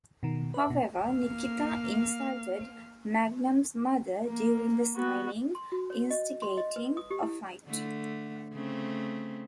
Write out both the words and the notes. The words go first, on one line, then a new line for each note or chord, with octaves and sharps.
However, Nikita insulted Magnum's mother during the signing, instigating a fight.
B2 D#3
B4 E5
B2
A#3 F5
A#3
B3 F#4
C6
F#4
C#5
D#5
C6
D#5
B4
D#6
G4
E4
D3 A3
C#3 A3 C4